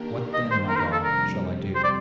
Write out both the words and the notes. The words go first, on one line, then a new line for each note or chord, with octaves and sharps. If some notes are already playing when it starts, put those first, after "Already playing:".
What then, my God, shall I do?
Already playing: D#3 A#3 D4 G4 A#4
D#3 G3 A#3 D4 D#5
C5
A#4
C5
A#4
A4
F2 C3 G3 A#4
C5
D5